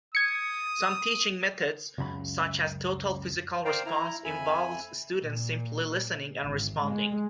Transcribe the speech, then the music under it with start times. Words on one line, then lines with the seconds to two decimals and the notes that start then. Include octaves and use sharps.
Some teaching methods, such as Total Physical Response, involve students simply listening and responding.
0.15 D#6 G#6 C#7
1.98 C#2 F#2 A#5 B5
3.65 A#4 C5 D5 F5 G5 A#5
3.86 E4 A#5
4.25 F2 E5 G#5 B5
5.23 A#2
6.42 G#1
6.81 G#3